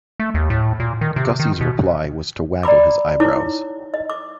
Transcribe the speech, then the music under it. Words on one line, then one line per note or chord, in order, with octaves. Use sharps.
Gussie's reply was to waggle his eyebrows.
A3
D#2
A2
A#2
D#3
C3
D#3
B2
D5 A#5 B5 D6
D#4 E4 C#5 D6
D#5
D6